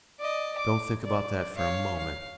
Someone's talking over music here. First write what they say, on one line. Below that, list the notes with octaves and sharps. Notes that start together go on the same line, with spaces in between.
Don't think about that for a moment.
D5 D#5
D6
D5
C#5 F5
F5